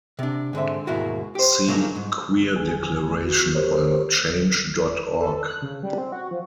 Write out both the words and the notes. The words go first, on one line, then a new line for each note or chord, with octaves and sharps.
See Queer Declaration on Change dot org.
C3 D4
G#2 D3 C4 E5
D#2 G#2 B2 A#3 E4 F#4
G4 C5
C#3 F#3 A#3 D4 D#4
G#2
G#4 G#5
F3
A3
F#4
G4 A#4 C5 C#5
A4
A4
F#6
C#3
G3
C4
F#4
F3